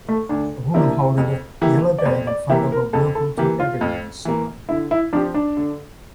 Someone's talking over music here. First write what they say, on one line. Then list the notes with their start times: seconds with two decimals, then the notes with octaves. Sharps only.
A woman holding a yellow bag in front of a Welcome to Aberdeen sign.
0.08 A3
0.29 D2 D4
0.74 C3 F3 A#3 D4 E4
1.18 F2
1.61 E3 A#3 E4 G4
1.98 D5
2.05 F2 C5
2.27 D5
2.49 E3 A#3 E4 G4 E5
2.72 A#4
2.93 F2 A4
3.15 A4
3.37 E3 A#3 G4
3.60 F4
3.81 F2
4.25 E3 A#3
4.69 D3 E4
4.91 E4
5.13 F3 C4 D4 G4
5.34 D4
5.57 D3